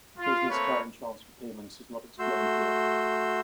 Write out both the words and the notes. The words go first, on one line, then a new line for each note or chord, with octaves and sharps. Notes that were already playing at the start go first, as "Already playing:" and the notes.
Business current transfer payments is not explained here.
F4
A3 A#3 C4 B4 C#5
A3 F#4 C6 E6 G6